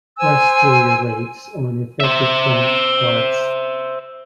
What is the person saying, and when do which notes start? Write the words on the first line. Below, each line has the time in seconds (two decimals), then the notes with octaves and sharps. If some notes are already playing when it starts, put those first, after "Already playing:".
Rust sporulates on affected plant parts.
0.18 C5 G#5 E6
2.00 C5 E5